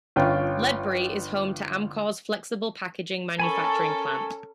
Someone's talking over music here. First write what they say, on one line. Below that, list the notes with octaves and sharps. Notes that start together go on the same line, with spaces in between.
Ledbury is home to Amcor's flexible-packaging manufacturing plant.
G1 C#4 F4 G5
C#4 A4 A#4 G#5 B5 C#6